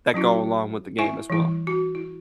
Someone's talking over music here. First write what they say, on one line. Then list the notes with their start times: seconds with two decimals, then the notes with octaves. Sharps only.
that go along with the game as well.
0.14 F#3 C#4 E4 F#4
0.99 E4 E5 G#5
1.30 E3 G3 E4
1.67 F#4
1.95 E4